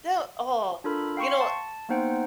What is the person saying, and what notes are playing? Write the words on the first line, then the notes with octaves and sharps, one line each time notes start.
the oh, you know,
D4 F4 A4 A#4 B5
F5 G5 C6 C#6 C#7
A5
A#3 B3 D#4 C5 F#5 G5